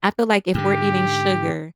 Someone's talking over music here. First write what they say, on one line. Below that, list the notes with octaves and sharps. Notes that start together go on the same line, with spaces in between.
I feel like if we're eating sugar
G#2 D3 G4